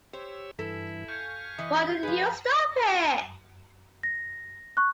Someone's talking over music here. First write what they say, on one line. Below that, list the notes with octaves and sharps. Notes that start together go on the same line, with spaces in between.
Why didn't you stop it?
G4 C5 C#5 E6
G2 E3 E4 A4 B6
F5 G#5 C#6 G6 G#6 C#7
E3 D#5
F3 G#4 B4 G#5
A#6
C#6 F#6